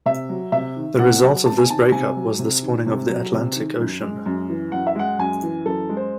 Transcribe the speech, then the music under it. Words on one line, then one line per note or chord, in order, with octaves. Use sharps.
The result of this break-up was the spawning of the Atlantic Ocean.
C3 E5
F#3
C3 E5
D#3
C3 F#5
F#3
C3 A5
G#5
D#3 A5
C3 G#5
F#3
C3
D#3
C3
F#3
C3
D#3
F#2
G#3
F#2
E3
F#2 F#5
E5
G#3 F#5
F#2 G#5
E3
F#2 A4
G#3
C5